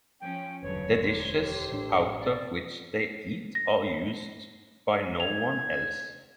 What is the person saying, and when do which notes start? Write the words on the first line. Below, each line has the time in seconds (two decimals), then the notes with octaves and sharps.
The dishes out of which they eat are used by no one else.
0.21 F3 C#4 G5
0.62 E1 D2 G2 C#3 F#3 A4 B4 C#5
0.98 G3 A#3 D4 C5
1.35 D#3 G4 A4
1.71 A1 A2 D4
2.20 G2 G3 C4 D5
3.55 A#6
5.20 G#6 F7